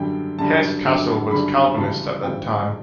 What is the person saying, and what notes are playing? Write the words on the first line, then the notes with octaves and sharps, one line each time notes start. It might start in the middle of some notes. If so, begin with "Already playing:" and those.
Hesse-Kassel was Calvinist at that time.
Already playing: F#2 D3 G3 G5
F#2 D3 G3 A5
F#2 D3 G3
F#2 D3 G3 B5
D2 C#3 E3 G3 A5
D2 C#3 E3 G3 G5